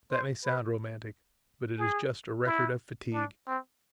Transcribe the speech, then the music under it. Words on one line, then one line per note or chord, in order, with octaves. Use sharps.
That may sound romantic--but it is just a record of fatigue.
C5
B4
G#4
E4
D4
C4